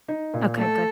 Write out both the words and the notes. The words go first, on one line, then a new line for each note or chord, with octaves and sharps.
Okay, good.
D#4
A#2
A3 A4